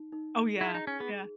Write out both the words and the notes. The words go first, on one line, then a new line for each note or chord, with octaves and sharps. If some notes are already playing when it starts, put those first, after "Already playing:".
Oh yeah, yeah.
Already playing: D#4
D#4
G#4
E4
D#4
C#4
B3 G#4